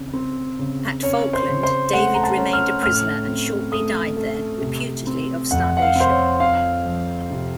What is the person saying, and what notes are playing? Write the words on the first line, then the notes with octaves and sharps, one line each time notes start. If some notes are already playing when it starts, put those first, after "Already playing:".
At Falkland David remained a prisoner and shortly died there, reputedly of starvation.
Already playing: C#3 C4
C4
C#3
C#4 C#5
C5
C#3
C5
A3 F#5
A#5
A5
C#4
F6
A2 F6
C4
A3 D#6
A3
C3
C4
F2 F#5
F#5
F5
C4 C5
C#5
C4 F5
F3
C3